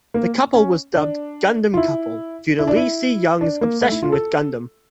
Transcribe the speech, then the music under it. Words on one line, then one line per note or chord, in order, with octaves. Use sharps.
The couple was dubbed "Gundam Couple" due to Lee Si-young's obsession with Gundam.
A#3
C#4
D4
F4
E4
E4
D4
E4
D4
A#3
A3
E4
F4
A4